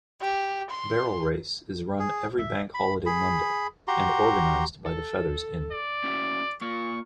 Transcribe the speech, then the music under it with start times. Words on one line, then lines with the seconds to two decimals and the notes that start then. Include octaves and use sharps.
Barrel Race is run every bank holiday Monday, and organised by The Feathers Inn.
0.21 G4
0.70 C6
2.00 G#4
2.39 E5
2.74 B5
3.06 G#4 B5
3.88 F#4 G4 A#5 C6
4.86 A4
5.72 D5
6.04 C#4 E4 F#4
6.61 A#3 F4 C#6